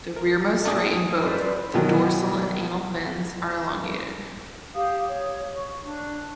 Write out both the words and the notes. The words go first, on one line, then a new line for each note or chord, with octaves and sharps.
The rearmost ray in both the dorsal and anal fins are elongated.
A#4
G2 A#2 C#3 A3 D4 G#4 D#6
C4 E4 G4
F#2 B4 C5 D5 D#5
B2 D#3 F#3
G4 F5 D#6
C#5
C#6
D4